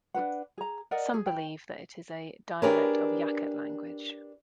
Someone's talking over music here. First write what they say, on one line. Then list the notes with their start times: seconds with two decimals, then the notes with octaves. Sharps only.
Some believe that it is a dialect of Yakut language.
0.14 D4 F4 B4 F#5
0.58 G#4 A#5
0.91 A#4 D5 D#5 F#5
1.14 G#4
1.26 G5
2.62 D4 G4 G#4 A#4 B4 C#5